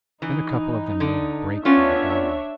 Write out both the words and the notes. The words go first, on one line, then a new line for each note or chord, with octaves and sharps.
Then a couple of them made a break for the doorway.
E3 D#4
D3
B3 C#4 D4 F4 C#5 E5